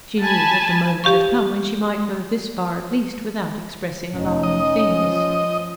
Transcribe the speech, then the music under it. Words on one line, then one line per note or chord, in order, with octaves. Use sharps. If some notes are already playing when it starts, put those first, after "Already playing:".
She knew that the moment had come when she might go this far, at least, without expressing alarming things.
G#5 A5 B5
G4 F5 C#6
F1 C#4 D#4
D#5
F3